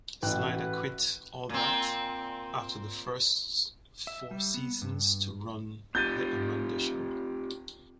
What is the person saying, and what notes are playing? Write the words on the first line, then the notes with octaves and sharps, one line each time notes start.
Schneider quit "All That" after the first four seasons to run "The Amanda Show".
A1 F#4 B4 G5 F#6
A#2 C4
E5
G3
B3
G2
C4 F4 G4 G6 A6 D#7